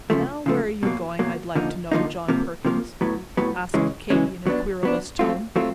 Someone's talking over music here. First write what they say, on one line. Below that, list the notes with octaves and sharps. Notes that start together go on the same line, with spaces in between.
"Now, where are you going, I'd like to know, John Perkins?" asked Katy, in a querulous tone.
C#3 F3 A3
C#3 F3 A3
B2 F#3 A#3
B2 F#3 A#3
D3 F3 A#3 D#4
D3 F3 A#3 D#4
C3 F3 A#3
C3 F3 A#3
A2 F#3 B3
A2 F#3 B3
C#3 E3 G#3 C#4
C#3 E3 G#3 C#4
F#3 B3 D4
F#3 B3 D4
F#3 A3 C4 F4
F#3 A3 C4 F4